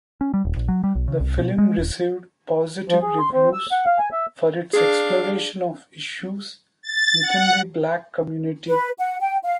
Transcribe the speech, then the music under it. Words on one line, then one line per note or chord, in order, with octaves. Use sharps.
The film received positive reviews for its exploration of issues within the black community.
C#4
G3
D#1
A#1
F#3
G3
B1
C#3
C2
B2
G#3
D#1
F3
G#4
C6
C4
E6
F#5
F5
G#5
E5
D4 G#4 F5
A6
F#5
B4
F#5
G5
F5